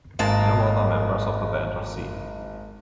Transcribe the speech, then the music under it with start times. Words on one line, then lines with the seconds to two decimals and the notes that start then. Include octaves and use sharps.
No other members of the band are seen.
0.19 G#1 G#3 A#3 A5